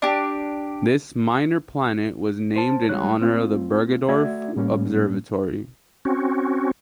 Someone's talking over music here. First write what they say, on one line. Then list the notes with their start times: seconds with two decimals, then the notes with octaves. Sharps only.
This minor planet was named in honor of the Bergedorf Observatory.
0.02 D4 G4
2.56 C5 A5
2.89 G3 G#3 C#5 F#6
3.20 A3 C4 F4
4.09 A3 F#4 D5 E5 G#6
4.56 A2 G3 A#3 C#4
6.05 C4 C#4 F#4